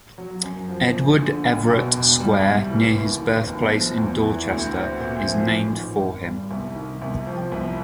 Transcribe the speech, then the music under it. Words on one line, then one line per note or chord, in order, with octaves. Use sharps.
Edward Everett Square, near his birthplace in Dorchester, is named for him.
F#3
F#2
F3
A#1
D3
F#1
B2
E1
G3
C2
E3
D#2
D#3
G1
F3
E2
E3
D2
C4
A#2
F3
A1
D#3
G#1
G3
C2
D#3
C2
F3
C2